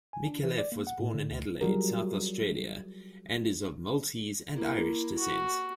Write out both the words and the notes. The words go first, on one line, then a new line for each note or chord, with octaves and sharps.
Micallef was born in Adelaide, South Australia, and is of Maltese and Irish descent.
G#5
D4
E3
D5
A#3
F#5
A2
D3
D2
F#3 G3 F4 F#4 G#4 A#4
A#3 E4
F#4